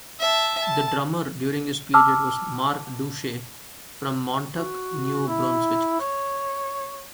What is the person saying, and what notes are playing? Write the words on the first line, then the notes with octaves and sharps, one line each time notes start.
The drummer during this period was Marc Doucet from Moncton, New Brunswick.
E5 A5
A5
A5 D6 E6 F6
F#4
E4
C#5